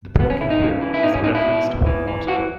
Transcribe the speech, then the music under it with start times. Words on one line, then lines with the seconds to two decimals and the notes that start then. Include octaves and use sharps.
The broken wheel is a reference to her martyrdom.
0.19 E2 B3
0.30 C#4
0.40 E2 E4
0.50 D#4
0.61 C#3
0.81 E3
0.94 E4
1.03 B2 D#4
1.14 C#4
1.24 B2 D#4
1.35 E4
1.44 B2
1.66 E2
1.86 E3
2.07 E3
2.27 E3 F#4